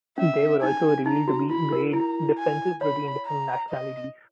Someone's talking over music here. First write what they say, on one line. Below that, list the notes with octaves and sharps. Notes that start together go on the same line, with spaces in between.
There were also revealed to be grade differences between different nationalities.
C#4 E5
D#4 G#5
D#4 A#5
F#4
E4 B5
A#4
E4 A#5
G#5
C#5 B5
A#5
D#5